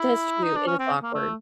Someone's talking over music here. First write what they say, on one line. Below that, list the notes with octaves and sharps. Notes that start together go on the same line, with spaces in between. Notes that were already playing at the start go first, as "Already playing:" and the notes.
That's true, it is awkward.
Already playing: E4
D#4
D4
C#4
C4
A#3
A3